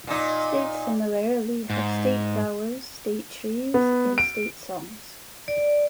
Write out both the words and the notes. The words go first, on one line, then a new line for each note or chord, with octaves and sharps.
States similarly have state flowers, state trees and state songs.
A#2 D#4
G#2
B3
D7
D5